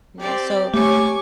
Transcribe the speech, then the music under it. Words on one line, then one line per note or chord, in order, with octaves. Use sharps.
you know? So
C4 G4 D5
A3 G4 C#5 G#5 C#6 D6